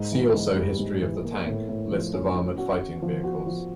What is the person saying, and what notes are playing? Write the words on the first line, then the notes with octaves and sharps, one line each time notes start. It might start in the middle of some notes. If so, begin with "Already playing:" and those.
See also history of the tank, list of armoured fighting vehicles.
Already playing: G#2
E3
G#2
G3
G#2
E3
A#3
A2
A2
F3
C#4
C#4
F#4
F#4
F3
F#4
F3